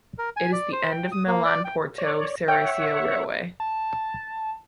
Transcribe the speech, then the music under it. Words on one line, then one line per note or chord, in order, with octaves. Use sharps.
It is the end of the Milan–Porto Ceresio railway.
A#4
G#5
D5
C5
G5
D#6
A#3
D5
G5
C#5 D5
C#5 E5 F#5 G5
A5